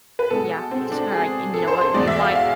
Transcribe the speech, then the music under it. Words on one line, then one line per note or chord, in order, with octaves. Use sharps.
Yeah, just kinda like and you know what? You might
B4
B2 G#3 A4
C4
D4
G#4
A4
C5
C5
E2 B2 G#3 D5
E5
F5
F5